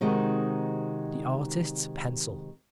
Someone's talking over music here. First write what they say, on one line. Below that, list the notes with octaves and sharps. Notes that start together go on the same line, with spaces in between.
The artist's pencil!
C3 D#3 G#3 C4 D#4 F#4